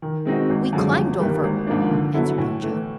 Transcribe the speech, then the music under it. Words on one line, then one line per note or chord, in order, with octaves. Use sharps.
"We climbed over," answered Ojo.
D#3
G#3 C4 D#4 F#4
G#1
F#2 D3 F3 G#3
G1
G2 D#3 G3 A#3
G#1
G#2 F3 A#3 D4
D3
F#3 B3 E4 A4
A2
E3 A3